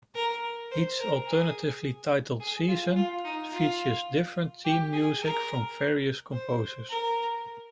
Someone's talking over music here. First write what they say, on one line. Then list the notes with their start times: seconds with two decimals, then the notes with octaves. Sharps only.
Each alternatively titled season features different theme music from various composers.
0.15 A#4
0.71 C5
0.99 A#4
1.27 G#4
2.40 G#4
2.68 F4
2.96 F4
3.24 D#4
3.52 F4
4.64 G4
4.93 G#4
5.22 A#4
6.33 C5
6.90 A#4